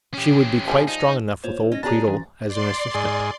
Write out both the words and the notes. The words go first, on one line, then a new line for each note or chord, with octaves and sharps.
She would be quite strong enough, with old Creedle as an assistant.
C#4 G4
F3 G3 G#4
D#4
A#2 C5 C#5
D#2
C#4 D#5 A#6
B2 D4 G#4 C#5 D5 A5 A#5 A6
F#2 E3
D5 C6
G#2 G#4